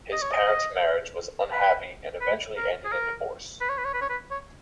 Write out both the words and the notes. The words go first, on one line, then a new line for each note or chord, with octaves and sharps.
His parents' marriage was unhappy and eventually ended in divorce.
D#5
C#5
D#5
B4
B4
A#4
G#4
A#4
B4
C#5
B4
C#5
B4
C#5
B4
C#5